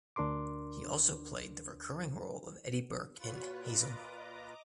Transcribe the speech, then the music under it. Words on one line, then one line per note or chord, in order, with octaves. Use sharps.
He also played the recurring role of Eddy Burke in "Hazel".
D2 D4 A#4 C6 D6
A#2 F4 F#4 B4 C#5
D#5 A#5 D6